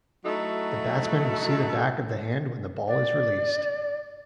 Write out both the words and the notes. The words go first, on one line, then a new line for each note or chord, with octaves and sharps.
The batsman will see the back of the hand when the ball is released.
F#3 A3 D#4 E4 F#4 A4
D5